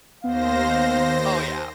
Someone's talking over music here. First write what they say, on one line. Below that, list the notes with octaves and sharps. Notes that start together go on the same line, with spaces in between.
Oh, yeah.
D#2 B3 C5 F5 A#6